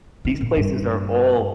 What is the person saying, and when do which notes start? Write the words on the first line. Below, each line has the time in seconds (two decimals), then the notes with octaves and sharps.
these places are all
0.25 D#3
0.41 A#2
0.57 G2